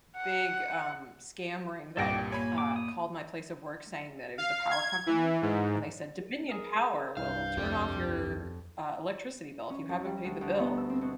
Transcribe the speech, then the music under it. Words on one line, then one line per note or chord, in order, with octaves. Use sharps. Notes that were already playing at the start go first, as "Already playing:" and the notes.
big, um, scam ring that, uh, called my place of work saying that it was the power company, and they said "Dominion Power will turn off your, uh, electricity bill if you haven't paid the bill."
F#5
G1 C2 G2 A#2 A4 G5 D6 A#6
A#3 C#5 G#5 B5
D6
D#6
F5
G#6
E3
G#2
G#4 A#4
C2 G2 F5 G6
F2 G4 D5
C#4
F#2
G3
D2
D2
B3
E6
C4
B2